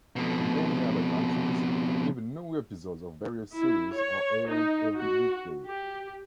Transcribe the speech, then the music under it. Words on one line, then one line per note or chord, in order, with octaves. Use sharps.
In many other countries, even new episodes of various series are aired every weekday.
F2 B2
E4
C#5
D#4
F#4
G4